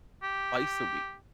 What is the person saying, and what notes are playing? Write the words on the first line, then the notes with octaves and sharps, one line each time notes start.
twice a week,
G4